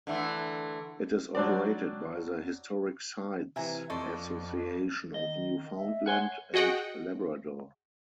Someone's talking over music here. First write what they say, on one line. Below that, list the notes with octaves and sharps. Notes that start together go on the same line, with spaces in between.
It is operated by the Historic Sites Association of Newfoundland and Labrador.
D3 E3 A3
F#3 G3 D4 C5 D5
C3 E3 E5 G#5 A#5
F2 A4 C5 D5 D#5 C#6
D#3 D#5
E5
C#5 F#5 G#5 C6
F#4 G#4 D#5 F#5 G5